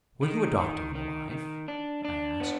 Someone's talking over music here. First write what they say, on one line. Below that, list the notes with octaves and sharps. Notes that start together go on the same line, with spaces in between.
"Were you a doctor when alive?" I asked.
D#3
D#3
D#3
D#3
D4
D4
B3